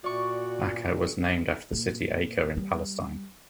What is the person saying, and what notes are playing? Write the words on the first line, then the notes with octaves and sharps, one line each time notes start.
Acca was named after the city Acre in Palestine.
A#2 F#4 D5 C#6
A#2
G3